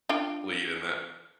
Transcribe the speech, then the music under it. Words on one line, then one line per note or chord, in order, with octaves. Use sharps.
lead in that
D4 F4 G5